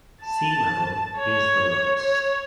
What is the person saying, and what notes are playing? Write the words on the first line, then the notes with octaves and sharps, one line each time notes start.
Sea level is the lowest.
A5
C#5
C#5